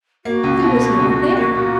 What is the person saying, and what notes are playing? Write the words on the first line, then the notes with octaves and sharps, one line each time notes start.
There was no one there!
A#3 F#4
C#2
B2
A#3
C#2
C#2
A#3
A#2